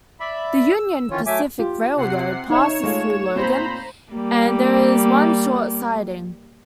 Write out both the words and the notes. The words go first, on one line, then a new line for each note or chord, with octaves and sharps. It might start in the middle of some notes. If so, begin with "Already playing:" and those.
The Union Pacific Railroad passes through Logan, and there is one short siding.
D5 E5 B5
E6
D#3 E3 C#4 F4 C#5
F#3 A3 E5 G#5 D6
F4 G4
C3 F#5 C7
D#4 C#5 E5 E7
G#3 A3 F4 A4
A#2 C4 C5 A#5 B5
G3 A#3